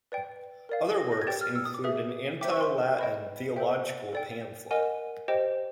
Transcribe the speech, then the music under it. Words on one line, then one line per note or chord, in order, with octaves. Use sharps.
Other works include an anti-Latin theological pamphlet.
B4 D5 G5
A#4 D5 F5
A#6
A#6
G#6
G4 B4 D5 G5 A6
F6
E6
D#6
D6
G#4 B4 E5 D#6
C5 E5 G5 D6
C#6
C6
B4 D#5 G5 B5
A4 C5 E5 G5
A4 D5 G5
A#4 D#5 F#5 G#5
G4 C5 D#5 G5